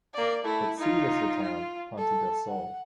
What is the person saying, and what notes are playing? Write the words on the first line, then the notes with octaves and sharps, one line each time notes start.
Its seat is the town Ponta do Sol.
A#3 D5
A3 E4
D#4 F4
F4
A4
F#5